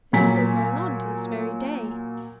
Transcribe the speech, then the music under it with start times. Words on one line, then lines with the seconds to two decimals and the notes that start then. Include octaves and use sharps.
It is still going on to this very day.
0.13 A#2 F#3 G#5 B6